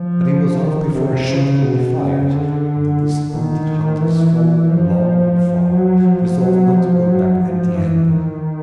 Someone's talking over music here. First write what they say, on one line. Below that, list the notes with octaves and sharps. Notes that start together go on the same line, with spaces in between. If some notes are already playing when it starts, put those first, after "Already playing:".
But he was off before a shot could be fired, and the disappointed hunters followed long and far, resolved not to go back empty-handed.
Already playing: F3
D#3
C3
C#3
B2
C#3
D3
D#3
E3
F3
F#3
F3
F#3
F3
F#3
F3
E3
D#3